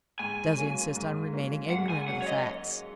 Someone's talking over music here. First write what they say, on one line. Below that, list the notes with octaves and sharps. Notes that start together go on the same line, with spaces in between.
Does he insist on remaining ignorant of the facts?
G#2 G#5
F#3 A#3 C#4
G#2
F#3 A#3 C#4
G#2 F#5
G#5
F#3 A#3 C#4 F#5
C#5
D#5